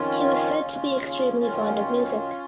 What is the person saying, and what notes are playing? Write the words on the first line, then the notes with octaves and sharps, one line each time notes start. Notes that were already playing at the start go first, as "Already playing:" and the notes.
He was said to be "extremely fond of music".
Already playing: F2 D#3 C#4 F4
D#2 C#3
F#2 D#3